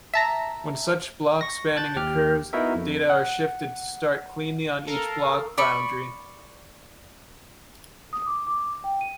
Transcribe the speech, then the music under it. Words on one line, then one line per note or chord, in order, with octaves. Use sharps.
When such block-spanning occurs, data are shifted to start cleanly on each block boundary.
E5 A5 A#5
C#6 A#6
A5 F#6 G6 A6
D#2 G4 G5 F6
B3 D#4 E4 F#4 A#4 E5
F2
F#5
A4 A#4 F5
D5 B5 C#6
D#6
D6
D6
G5
D#7